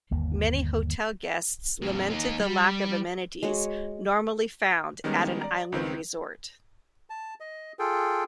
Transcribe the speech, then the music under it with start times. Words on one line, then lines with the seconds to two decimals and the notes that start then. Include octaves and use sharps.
Many hotel guests lamented the lack of amenities normally found at an island resort.
0.11 G1 D#2 A#3
1.82 F2 A#2
2.10 A#3 D#4
2.40 G3
3.43 G#3 F#4 C#5
5.04 D#3 G3 G#3 B3 C#4 D#4
5.41 D5 A#5
5.72 C#2 D#3 C4 B4
7.10 A5
7.40 D#5
7.79 F4 G#4 A4 G5